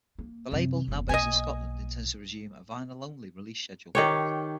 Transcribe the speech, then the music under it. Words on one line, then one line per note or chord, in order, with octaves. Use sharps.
The label, now based in Scotland, intends to resume a vinyl-only release schedule.
A#3
F#2 C3
F#1 E2
B1 A#3 D#5 G#5
D#3 G4 C#5